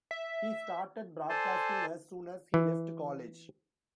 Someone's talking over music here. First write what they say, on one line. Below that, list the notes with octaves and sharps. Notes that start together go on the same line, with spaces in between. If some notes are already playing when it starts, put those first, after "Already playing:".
He started broadcasting as soon as he left college.
E5
A4 C5 D5 G#5 A5 C6
E3